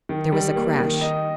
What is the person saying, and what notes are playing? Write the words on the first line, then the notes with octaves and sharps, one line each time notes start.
There was a crash!
D#3
G3
A#3
D#3
D#5